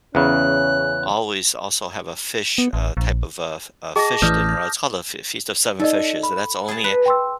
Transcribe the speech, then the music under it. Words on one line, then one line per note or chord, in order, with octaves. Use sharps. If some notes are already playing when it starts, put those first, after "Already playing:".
always also have a fish, uh, type of, uh, a a f fish dinner it's called a F Feast of Seven Fishes, so, that's only
E2 C#3 C#4 F#6
B3
A1
A#1
G#4 D#5 G5 A5 D6 A#6
A1 A2 E3 B4 D5 D#6 F6 G6
D#4 A4 D5 D#5
B5
G#4 A5
B4
G5 C6 E6